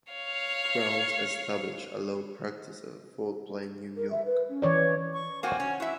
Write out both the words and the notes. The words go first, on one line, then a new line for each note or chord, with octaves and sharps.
Crounse established a law practice at Fort Plain, New York.
C#5 F5
A#4
E5
B4
C#4
E3 C#5 D5
C#6
A#3 C4 F#4 G#5
C#4
E4 F#4 E5